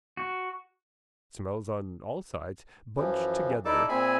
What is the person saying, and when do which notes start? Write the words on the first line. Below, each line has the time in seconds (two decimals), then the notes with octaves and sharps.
Smells on all sides, bunched together.
0.17 F#4
2.97 F#2 E3 F3
3.65 D#4 E4 A4 D5 A5 D6
3.89 A#2 C4 G#4 E5 G#5 B5